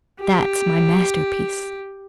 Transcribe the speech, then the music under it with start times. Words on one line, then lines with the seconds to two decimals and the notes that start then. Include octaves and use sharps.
That's my masterpiece.
0.20 G4